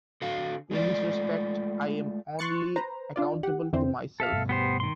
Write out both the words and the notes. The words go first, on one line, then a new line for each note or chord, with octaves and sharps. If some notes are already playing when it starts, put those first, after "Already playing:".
In this respect, I am only accountable to myself.
D3 F#4 A4 F5
G#3 A3 F4 D5
C6 C#6 F#6 A6 C#7
B4 C5 A#5
D4 F4 D5
G4 F#5
F2 D3 E3 C4 C5
A4 E5 F5
G2 B2
B3 G4 C5
D#3 C6